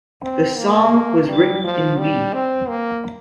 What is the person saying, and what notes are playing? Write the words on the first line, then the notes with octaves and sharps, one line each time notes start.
The song was written in B.
C4
A#3
G3
F3
G3
C4
A#3